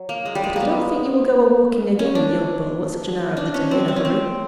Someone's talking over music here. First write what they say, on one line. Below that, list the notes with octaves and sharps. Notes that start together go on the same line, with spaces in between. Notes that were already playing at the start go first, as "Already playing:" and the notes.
But I don't think you will go a-walking again with your beau, at such an hour of the day, in a hurry.
Already playing: F#3
A#3
G#3
G3
G#3
A#3 B3
C#4
D4
D4
C#4
C4
C4
C#4
C4